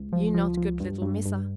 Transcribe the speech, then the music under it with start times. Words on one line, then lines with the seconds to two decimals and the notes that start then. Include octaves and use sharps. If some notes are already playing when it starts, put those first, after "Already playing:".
You not good little Missa.
Already playing: C#2
0.13 F3
0.34 F3
0.57 F3
0.80 G2
1.02 G2
1.26 G2